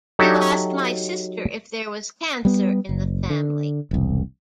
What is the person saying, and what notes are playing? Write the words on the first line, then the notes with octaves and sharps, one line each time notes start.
You asked my sister if there was cancer in the family.
F#3 D#4 G4 A4 C#5 E5
G3 B3
F#1
D3
E1 C2